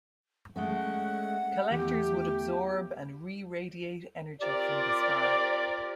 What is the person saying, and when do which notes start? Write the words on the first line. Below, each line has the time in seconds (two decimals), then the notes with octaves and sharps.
Collectors would absorb and reradiate energy from the star.
0.56 G#3 A3 C#4 F#5
1.70 E2 A3 G4
4.41 C4 F4 G4 A#4 D5